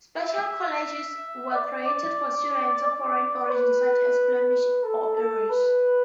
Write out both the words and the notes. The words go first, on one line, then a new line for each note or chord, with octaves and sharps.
Special colleges were created for students of foreign origin, such as Flemish or Irish.
E5
D5
D5
D5
B4
A4
A4
B4